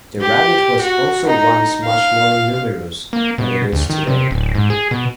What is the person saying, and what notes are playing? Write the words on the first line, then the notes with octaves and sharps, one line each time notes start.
The rabbit was also once much more numerous than it is today.
G4
F#4
D#4
F5
A#3
B2
D2
D#3
C3
D1
G#2
G#4
B2